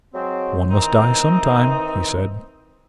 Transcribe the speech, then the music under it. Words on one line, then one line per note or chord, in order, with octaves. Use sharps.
"One must die sometime," he said.
F#3 G#3 C4
D#3 E3 C4 D#4